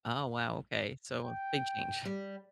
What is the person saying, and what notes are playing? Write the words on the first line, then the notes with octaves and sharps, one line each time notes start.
Oh, wow, okay, so a big change.
G5
G3